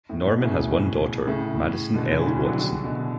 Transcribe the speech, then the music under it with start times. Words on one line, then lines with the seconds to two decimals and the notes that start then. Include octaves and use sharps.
Norman has one daughter, Madison Elle Watson.
0.09 A2
0.26 B2
0.43 A2 C#3
1.26 A2 C#3
1.94 B2 D3
2.11 C#3 E3
2.28 E3 G3
2.45 D3 F#3
2.62 C#3 E3
2.84 B2 D3